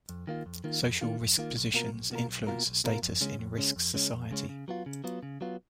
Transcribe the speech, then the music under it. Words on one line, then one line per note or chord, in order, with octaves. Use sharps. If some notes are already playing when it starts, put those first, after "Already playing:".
Social risk positions influence status in risk society.
F2
D#3 A#3 F4
F2
D#3 A#3 F4
F2
D#3 A#3 F4
F2
D#3 A#3 F4
B1
B2 A#3 F4 A#4
B1
B2 A#3 F4 A#4
B1
B2 A#3 F4 A#4
B1
B2 A#3 F4 A#4
F2
C#3 G#3 C#4
F2
C#3 G#3 C#4
F2
C#3 G#3 C#4
F2
C#3 G#3 C#4
C#3
F#3 B3 F4
C#3
F#3 B3 F4
C#3
F#3 B3 F4